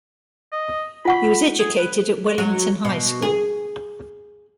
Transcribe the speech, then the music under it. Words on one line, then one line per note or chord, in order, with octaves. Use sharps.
He was educated at Wellington High School.
D#5
F4 F#5 B5 C#6
G#4
B4
F#3
B2
G#4